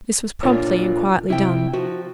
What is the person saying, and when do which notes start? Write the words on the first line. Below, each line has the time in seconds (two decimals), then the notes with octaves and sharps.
This was promptly and quietly done.
0.43 A#2 D4 F4 A#4 C#5
1.30 C3 E4 G5
1.73 F3 F#4